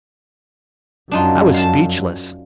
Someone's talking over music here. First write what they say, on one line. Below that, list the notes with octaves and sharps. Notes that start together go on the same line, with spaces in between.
I was speechless.
F#2 D4 D#4 F4
F5 A5